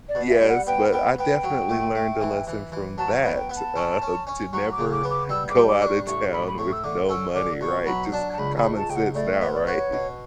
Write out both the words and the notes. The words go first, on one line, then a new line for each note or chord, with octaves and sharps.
Yes. But I definitely learned a lesson from that. Uh, to never go outta town with no money, right? Just common sense now, right?
D5
B2
E5
G3
F#5
B3 G5
B3 G5
B3 G5
F#3
A3
A3
E3
E3
E3
F#3 A5
B3
G5
B3
A5
C#4
C#4
C#4
F#3 C#6
D6
C#3
D6
B3
D6
G3 E6
D6
G3
D6
D4 D6
C#6
A1 C#6
A1 B5
B5
A2 C#6
E6
D3 D6
C#4 E6
D3 D6
B2 C#6
F#3 B5
D4 A5
A5
C#2 B5
B5
C#2
A5
C#2 G5
F#5
A2 D5
E5
B3
D5
F#4 B4
C#5
B2